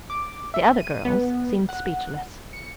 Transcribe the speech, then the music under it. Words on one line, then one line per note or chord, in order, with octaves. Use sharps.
The other girls seemed speechless.
D6
E5
D#7
B3
F#5
C#7